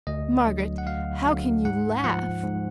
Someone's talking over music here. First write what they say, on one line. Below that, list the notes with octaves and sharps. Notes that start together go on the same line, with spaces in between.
"Margaret, how can you--laugh!"
D2 D#5
D3 F#3
F#5
D2 F5
D3 F#3
G#2 F#5
F3 F#5
G#2